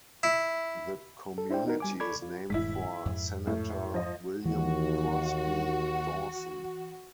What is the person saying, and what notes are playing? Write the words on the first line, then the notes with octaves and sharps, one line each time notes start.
The community is named for Senator William Crosby Dawson.
E4
A4
D4 E4 C5 D5 G5
B3 D#4 F#4 A#4
G3 G#5 D6
A4 D5 B5 C#6 D6 G#6
F4
D#1 G2 G#3 E4 B6
F2 G#2 G#3
A2
F3 D#5
D#2 E3 F#4